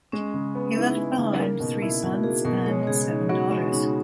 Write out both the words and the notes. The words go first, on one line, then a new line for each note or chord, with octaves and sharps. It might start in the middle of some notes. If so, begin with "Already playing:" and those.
He left behind three sons and seven daughters.
G#3 C#4
C#3
B3
D#4 E4
G#3
C#3
A#3
B2
E4
B2 F#4
A#3 G#4
B2 A#4
G#3 C#5
C#3 G#4
D#4
B3 F#4
G#3 C#4
C#3 D#4